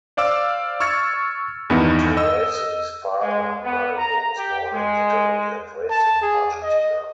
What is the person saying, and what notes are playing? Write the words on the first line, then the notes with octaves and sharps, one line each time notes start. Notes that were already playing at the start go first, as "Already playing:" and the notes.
Taurasi's father, Mario, was born in Italy, and raised in Argentina.
C5 D5 F5 D6 E6 F6
C#6 E6 F6 G#6 A6 C#7
E2 G2 D#3 B3 D#4 E4
D#5 E6
G#3
B3
A#5
G4
G#3
A5
G#4
D#5